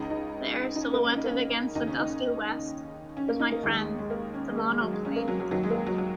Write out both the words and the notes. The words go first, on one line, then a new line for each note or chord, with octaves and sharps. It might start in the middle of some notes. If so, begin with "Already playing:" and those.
There, silhouetted against the dusky West was my friend, the monoplane.
Already playing: C#2 C#3 D#4
D#4
D#4
C#4
A#3
C#4
D#4
A#3
C#4
D#2 C#3 D#4
C#4
D#4
C#4
A#3
D#4
A#3
D#2 D#3 G#3
G#3
G#3
A#3
C#4
G#3
A#3
G#3
F#3
G#3
C#4
A#3
F#3
F#3
D#2 D#3 F#3
G#3
A#3
G#3
F#3
F#3